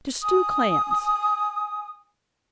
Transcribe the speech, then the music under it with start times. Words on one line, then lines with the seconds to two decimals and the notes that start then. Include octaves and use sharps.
To Stew Clams.
0.21 G#5 D#6